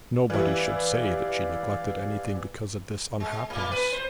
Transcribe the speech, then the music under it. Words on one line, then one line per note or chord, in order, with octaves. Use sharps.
Nobody should say that she neglected anything because of this unhappiness.
E3 G3 E4 D5 F5
G#3
A2
B4
C5